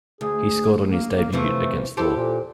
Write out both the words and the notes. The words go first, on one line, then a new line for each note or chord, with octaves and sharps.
He scored on his debut against Thor.
D2 G#4
A#3
A#3
C3 E3 F3 A3
E4 G4 A4 C5
A#2